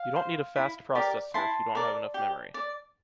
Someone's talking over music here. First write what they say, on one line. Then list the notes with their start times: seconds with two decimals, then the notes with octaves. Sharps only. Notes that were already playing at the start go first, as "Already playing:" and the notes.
You don’t need a fast processor if you don’t have enough memory.
Already playing: F5
0.16 C5
0.56 E4
0.95 G4 A#4 D5
1.34 E4 A5 C6
1.75 A#4 D5
2.14 G4
2.54 D5